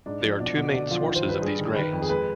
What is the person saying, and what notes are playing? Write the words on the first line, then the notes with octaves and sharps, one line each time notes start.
There are two main sources of these grains.
G#2 D4
F3
B2 D4
B2
D3 D4
F3 F4
D#3
C5
G2 B4
G2 G#4
D#3
D#3 B4
F2
G#4
G#3 B4